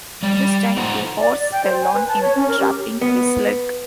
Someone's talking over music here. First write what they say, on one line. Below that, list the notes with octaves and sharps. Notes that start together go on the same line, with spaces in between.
This time the horse fell on him, trapping his leg.
G3 D5
D#4 F4 A4 C5 F#5 A#5
D5
D5
G5
C5
G#5
B4
A5
C#5
C#4
A#4
G4
B3